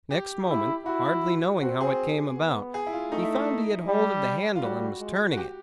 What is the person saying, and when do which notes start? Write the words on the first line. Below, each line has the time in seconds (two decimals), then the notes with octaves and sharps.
Next moment, hardly knowing how it came about, he found he had hold of the handle and was turning it.
0.11 G4
0.49 E4
0.86 E4 F#4
1.61 C4 F#4
1.81 G#4
2.36 B3
2.74 G#4
2.87 E4
2.93 F4
3.12 A3 D#4
3.23 E4
3.34 D#4
3.87 G3
4.56 F4
4.62 G3 F#4
4.99 G#3
5.32 F#4
5.37 G4